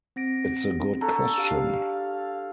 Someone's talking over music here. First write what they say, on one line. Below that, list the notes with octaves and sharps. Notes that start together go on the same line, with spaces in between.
It's a good question.
C4 A#6 D7
D3 A4 A#5 C#6
G4 F5